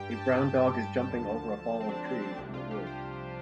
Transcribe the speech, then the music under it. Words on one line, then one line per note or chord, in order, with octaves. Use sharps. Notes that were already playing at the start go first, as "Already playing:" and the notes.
A Brown dog is jumping over a fallen tree in the woods.
Already playing: G2 G3 G4 G5
A5
A5
D2 D3 F3
C4
D4
C4
D4
C4
C2 C3 F3 D4
F4
G4
C5